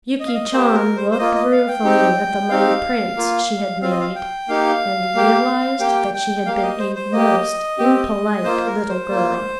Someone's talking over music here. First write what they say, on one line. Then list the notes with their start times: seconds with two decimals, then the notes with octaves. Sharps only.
Yuki Chan looked ruefully at the muddy prints she had made and realized that she had been a most impolite little girl.
0.20 D#5
0.28 F5
0.35 D#5
0.52 A#3 G4 C5
0.74 A#4
0.97 C5
1.11 C5
1.19 A#3 F4 D#5
1.35 D#5
1.51 F5
1.68 G5
1.84 C4 D#4 G4
2.50 C4 D#4 G4 F5
3.17 A#3 F4
3.82 C4 F4 F5
3.91 D#5
4.00 F5
4.16 G5
4.48 A#3 D#4 G4 F5
5.15 A#3 G4
5.80 A#3 G4 G5
6.14 G5
6.46 A#3 G4 F5
6.57 F5
6.63 D#5
6.79 C5
6.96 C5
7.12 A#3 G4 D#5
7.79 C4 G4
8.44 A#3 F4 C5
8.66 A#4
8.89 C5
9.10 A#3 F4